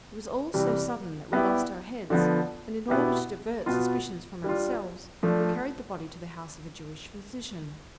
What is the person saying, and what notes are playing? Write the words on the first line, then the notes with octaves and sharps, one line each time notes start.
It was all so sudden that we lost our heads, and in order to divert suspicion from ourselves, we carried the body to the house of a Jewish physician.
C3 E3 G3
G3 B3 E4 G4
D3 F3 B3
B2 B3 E4 G4
B2 B3 F4
G3 D4 F4
F3 A3 D4